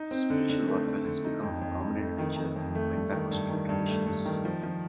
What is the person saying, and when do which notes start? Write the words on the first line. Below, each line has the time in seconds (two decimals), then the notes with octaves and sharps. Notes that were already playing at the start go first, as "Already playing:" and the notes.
Spiritual warfare has become a prominent feature in Pentecostal traditions.
Already playing: D#4
0.11 C4
0.30 D3
0.49 D3
0.68 A3
0.87 D3
1.05 D3
1.25 D#4
1.43 F2
1.62 F2
1.81 F2
2.00 A3
2.18 D#3
2.37 D#3
2.56 F2
2.75 A3
2.94 G2
3.12 D#3
3.31 G2
3.50 D#3
3.69 G2
3.88 A3
4.07 G2
4.26 D#3
4.45 F3
4.63 F3